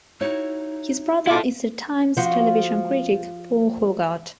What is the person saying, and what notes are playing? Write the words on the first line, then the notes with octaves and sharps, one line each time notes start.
His brother is the "Times" television critic Paul Hoggart.
D#4 E4 F#4 C#5
B2 E4 F4 A4 D6
F3 F#4